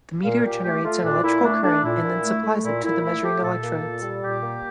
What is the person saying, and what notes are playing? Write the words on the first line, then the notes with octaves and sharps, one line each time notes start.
The meter generates an electrical current and then supplies it to the measuring electrodes.
A#2 F5
A#2 G4
A3 G4
A3 F4
A#2 D4
A#2 E4
A3 D4
A3 D4
A#2 E4
A#2
A3
A3
A#2 E4
A#2 E4
A3 E4
A3 G4
A#2 A4
A#3
A#2
G3
A#2 G4
A#3